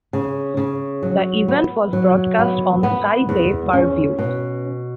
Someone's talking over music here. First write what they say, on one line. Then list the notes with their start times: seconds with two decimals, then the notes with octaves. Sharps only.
The event was broadcast on Sky Pay per view.
0.13 C#3
0.57 C#3
1.03 F#3
1.48 B3
1.93 F#3
2.39 B3
2.83 B3
3.29 E2
3.73 C#4
4.19 B2